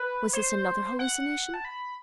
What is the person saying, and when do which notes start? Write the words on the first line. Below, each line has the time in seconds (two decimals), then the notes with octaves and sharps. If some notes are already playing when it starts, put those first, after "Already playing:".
Was this another hallucination?
Already playing: B4
0.33 C5
0.99 F#5
1.54 A5
1.65 B5